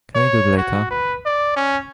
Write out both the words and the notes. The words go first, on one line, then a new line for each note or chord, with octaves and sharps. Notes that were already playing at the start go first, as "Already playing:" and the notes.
Can we do it later?
C#5
F#4
B4
D5
C#4